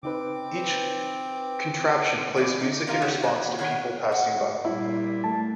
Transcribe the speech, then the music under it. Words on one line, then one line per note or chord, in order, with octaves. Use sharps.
Each "contraption" plays music in response to people passing by.
C#3 C4 D#4 B4 D6
F2 E3 G#4 D5
D#4
A#3 F4 A#4 D#5 F5 A#5
D4 D#4 F#4 G4 C#5
E3 F#3
A2 D#3 C#5 F#5
F#4
A#2 G3 E4
A3 A5